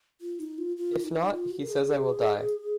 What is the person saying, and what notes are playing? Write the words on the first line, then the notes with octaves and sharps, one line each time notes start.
If not, he says I will die.
F4
D#4
F4
F4
D#4
F4
F#4
A#4
G#4